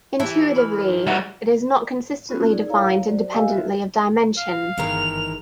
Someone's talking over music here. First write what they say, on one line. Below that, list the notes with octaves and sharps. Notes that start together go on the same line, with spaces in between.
Intuitively, it is not "consistently defined independently of dimension".
E3 E4 G4 A5
B5 F6
G#2
G3 F#4 B4 E5 F#5
B3 C#4 F4 F#4 A4
D#4 G#4 A#4 D5
E4 A4 A#4 C#5 F5 A#5
F#3 F#4 C5 D5
G4 A#4 D#5 F5 G#5 E6
F4 F#4 E5
F5
G1 D#3 E3 G#3 A#4 F7